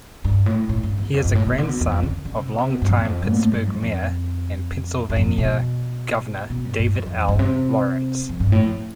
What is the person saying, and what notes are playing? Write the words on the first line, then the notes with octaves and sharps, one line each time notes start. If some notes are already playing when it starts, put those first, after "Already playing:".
He is a grandson of longtime Pittsburgh mayor and Pennsylvania Governor David L. Lawrence.
G2
A2
A2
G2
E2
F2
G2
A2
B2
D3
B2
E2
F2
D3
D3
C3
B2
C3
B2
G2
F2
E2
F2
B2
A2
G2
F2
F2
G2
F2
B2
B2
G2
G2
F2
F2
E2
G2
C3
F2
G2
A2
F2